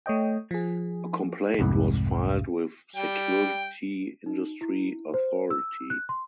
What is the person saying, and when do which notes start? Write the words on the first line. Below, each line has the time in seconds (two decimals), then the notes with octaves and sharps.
A complaint was filed with Security Industry Authority.
0.06 A3 C#5 D#5 G5
0.51 F3 G#4
1.59 C2 F2 G#2 C3
2.96 G3 G5
4.26 D#4
4.61 E4
5.14 C5
5.50 E6
5.90 F#6
6.09 C6